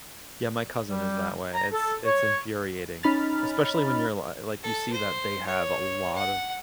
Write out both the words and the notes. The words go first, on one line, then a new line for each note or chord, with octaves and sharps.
Yeah, my cousin is that way; it's it's infuriating. Especially when you're li like, you see that they have a lot of
G3
A#5
A4
C#5
C#4 D#4 B5 F6 A6
A4
C5
C#5
F#5